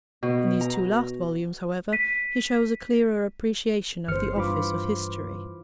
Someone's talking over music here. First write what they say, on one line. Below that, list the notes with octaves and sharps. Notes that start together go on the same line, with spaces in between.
In these two last volumes, however, he shows a clearer appreciation of the office of history.
B2
A#5
B6 D#7
G1 E3 C5 F6 C#7
G2 F4 B5 D6